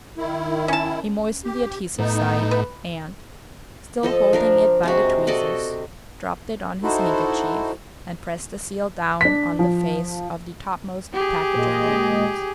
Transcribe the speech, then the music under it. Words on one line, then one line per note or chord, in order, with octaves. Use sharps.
He moistened the adhesive side, and, still holding it by the tweezers, dropped it on his handkerchief and pressed the seal down on the face of the topmost package of banknotes.
D#3 E4
C#4 A5
G4
A2 B3 D#4
B4
F3 A4 D#5
F3 D4 A#4
C3 G#3 F#4
F#4 A4 D5 D#5
D#4 E4 F#4 A4 C5
D4 B6
F3
G4 G#4
A#2 G#3 D#5